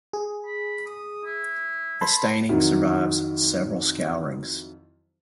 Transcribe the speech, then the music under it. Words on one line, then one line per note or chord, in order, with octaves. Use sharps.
The staining survives several scourings.
G#4
B5
D#6
E4
A5 B5 C6
F2 D#3 F#3 E4